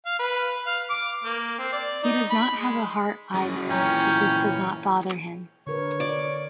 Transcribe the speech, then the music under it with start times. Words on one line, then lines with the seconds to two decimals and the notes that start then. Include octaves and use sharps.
He does not have a heart either, but this does not bother him.
0.06 F5
0.19 B4
0.66 F5
0.90 D6
1.24 A#3
1.59 C4
1.72 D5
2.03 D#4
2.30 B5
2.61 G#3
3.34 F#3 C#4 G#4
3.69 A#2 E3 C#4 G5 A#5
5.67 D3 A#4 B4 C#5 C#6
6.00 D5